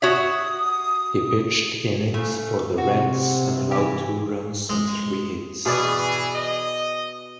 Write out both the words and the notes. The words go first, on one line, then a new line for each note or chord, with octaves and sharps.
He pitched innings for the Reds and allowed two runs and three hits.
F#4 C#5 E5 D#6
C#3 A3
C3 F#4
E3 G4
G#3
B2 E3 G#4 D5
D#5